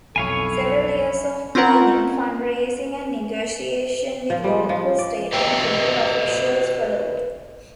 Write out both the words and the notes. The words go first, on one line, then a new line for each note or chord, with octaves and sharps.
Several years of planning, fundraising and negotiation with local, state and federal officials followed.
B1 F2 E4 A4 C#5 F5 G#5
C4 C#4 F4 A#4 F#5 A#5
F3
G3
F3
D5
G4 B4 C5 D#5 E5 G5